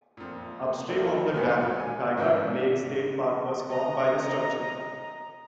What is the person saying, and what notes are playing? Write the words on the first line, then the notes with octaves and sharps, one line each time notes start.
Upstream of the dam, Tygart Lake State Park was formed by this structure.
F2 A#2
A#3 C4 D4 E4 F#4 A4
C#2 G2 A#2 B3 D5 G#5
F#3
G#5
G#2 F3 F#3 C#4 D4
D#5 A#5